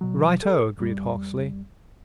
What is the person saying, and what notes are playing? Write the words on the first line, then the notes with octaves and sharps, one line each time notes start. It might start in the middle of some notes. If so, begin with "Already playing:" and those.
"Right-o!" agreed Hawksley.
B2 F#3
A4
F2 G3